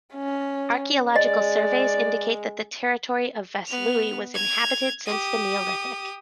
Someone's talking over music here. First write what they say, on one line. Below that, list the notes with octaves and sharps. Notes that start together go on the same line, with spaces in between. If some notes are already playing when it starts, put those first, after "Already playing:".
Archaeological surveys indicate that the territory of Vaslui was inhabited since the Neolithic.
C#4
G#3 D5 D#5
B3 F7
G#6 F7
G4 D#6